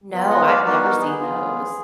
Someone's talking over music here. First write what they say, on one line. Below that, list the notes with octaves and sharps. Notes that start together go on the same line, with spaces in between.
No, I've never seen those.
B3 F4
D#5 F#5
D5 F5
B3 D#4 F#4 A#4 D5
B4
F#4 A#4
G#4
B3 F4